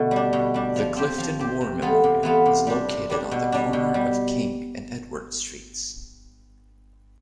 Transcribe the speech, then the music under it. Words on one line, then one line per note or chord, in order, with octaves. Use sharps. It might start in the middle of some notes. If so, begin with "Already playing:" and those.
The Clifton War Memorial is located on the corner of King and Edward Streets.
Already playing: B2 D3 A3
G3 D4
B2
G3 D4
F3
C4 G4
F3
C4 G4
C3
E3 B3 F4 A4
C3
E3 B3 F4 A4
C3
G3 D4
C3
G3 D4
B2
G3 D4
B2
G3